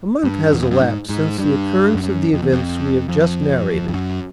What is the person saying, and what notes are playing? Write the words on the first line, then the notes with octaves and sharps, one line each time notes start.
A month has elapsed since the occurrence of the events we have just narrated.
G2
E2
F2
F#2
G#2
G#2
G2
F#2
F2
E2
F2
F2
F2
F#2